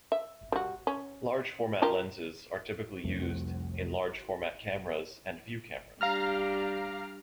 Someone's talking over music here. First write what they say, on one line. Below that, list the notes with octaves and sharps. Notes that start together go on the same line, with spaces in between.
Large format lenses are typically used in large format cameras and view cameras.
E5
G3 F#4
C#4
F4 G4 A#4
C2 F2 A3
G3 D4 G4 F5 A#5 F6